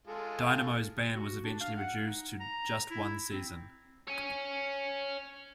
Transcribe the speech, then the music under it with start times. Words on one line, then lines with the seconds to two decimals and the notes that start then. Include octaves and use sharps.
Dynamo's ban was eventually reduced to just one season.
0.07 G#3 F4 A4
1.14 F#4
1.44 D4
1.61 F5
1.77 F#5
2.04 D#4
2.40 A#5
2.91 E4
3.29 C4
4.08 C#5 G#5